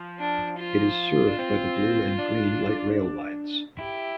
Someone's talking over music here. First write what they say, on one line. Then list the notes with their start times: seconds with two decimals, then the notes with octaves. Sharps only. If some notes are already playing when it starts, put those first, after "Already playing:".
It is served by the Blue and Green light rail lines.
Already playing: F3
0.19 D4
0.59 F4
1.27 D4
1.39 C4
2.19 D4
3.78 E4 G4